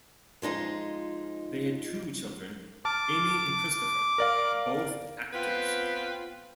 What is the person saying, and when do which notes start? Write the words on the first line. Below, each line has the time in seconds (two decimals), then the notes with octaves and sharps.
They had two children, Amy and Christopher, both actors.
0.42 F3 G#3 D#4 F4
2.85 A5 D6 F6
4.18 A#4 D5 F5
5.33 B3 C4 F4 B4